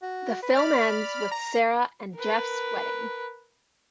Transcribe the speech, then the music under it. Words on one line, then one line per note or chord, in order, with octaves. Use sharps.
The film ends with Sarah and Jeff's wedding.
F#4
B4
D5 B5 F6
A#5
A#4 B4